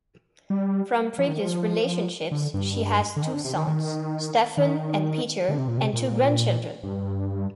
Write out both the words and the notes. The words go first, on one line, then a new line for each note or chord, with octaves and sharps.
From previous relationships, she has two sons, Stephen and Peter, and two grandchildren.
G3
F3
D#3
F3
D3
G2
D3
D#3
D3
C3
D#3
D#3
D#3
D3
C3
A#2
C3
A#2
G2